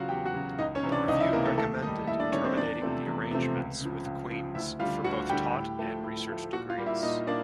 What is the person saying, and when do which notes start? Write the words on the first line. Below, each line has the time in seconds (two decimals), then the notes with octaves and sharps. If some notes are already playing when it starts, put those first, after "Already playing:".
The review recommended terminating the arrangements with Queen's for both taught and research degrees.
Already playing: C#3 F#3 F4 F#4 F5 F#5
0.09 E2 G4 G5
0.25 F#4 F#5
0.34 C#3 F#3
0.58 C#2 D#4 D#5
0.75 C#4 C#5
0.83 C3 E3
0.92 D4 D5
1.08 C#2 D#4 D#5
1.20 E4 E5
1.33 C3 E3 A#3 A#4
1.45 A3 A4
1.58 D#2 A3 A4
1.82 D#3 D#4 D#5
1.87 G3
2.07 D#2 E4 E5
2.19 D4 D5
2.32 D#3 G3 C#4 C#5
2.44 C4 C5
2.57 E2 D4 D5
2.82 C3 F3 A3 C4
3.06 E2
3.31 C3 F3 A3 C4
3.56 C#2
3.81 C#3 F3
4.05 C#2
4.30 C#3 F3
4.55 D2 E4 E5
4.79 G3 F4 F5
4.84 D3
5.04 D2 F#4 F#5
5.29 D3 G3 G4 G5
5.54 A2
5.79 F3 A3
6.03 A2
6.28 F3 A3
6.53 A#2 F#4 F#5
6.70 F4 F5
6.78 G3 A#3
6.86 E4 E5
7.03 A#2 D#4 D#5
7.27 A#3 D4 D5